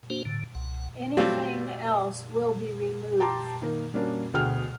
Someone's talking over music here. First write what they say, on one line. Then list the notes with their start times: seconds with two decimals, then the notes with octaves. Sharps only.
Anything else will be removed.
0.10 A#3 D4 F#4 C5
0.25 A2 D3
0.55 C2 F#5
1.17 F#3 G3 A3 C4 D4 F4
3.20 G4 G5 A5 A#5 C6 D6
3.62 D#3 A#3 A#4
3.94 G3 A#3 C#4 D4 F#4
4.34 D2 B2 G#4 G5 F6